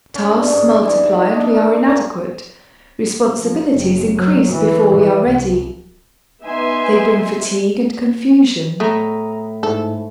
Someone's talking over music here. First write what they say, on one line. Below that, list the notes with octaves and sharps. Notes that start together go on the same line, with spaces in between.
Tasks multiply and we are inadequate, responsibilities increase before we are ready. They bring fatigue and confusion.
C#4
G2
G#2
D5
E3
D#5
D4
A#4
D4
A#2
F3
F#1
F#3
E3
E3
C2
B3 D#4 E5 G#5 C6
A2 A3 A#5 D#6
G#2 A3 E4 A4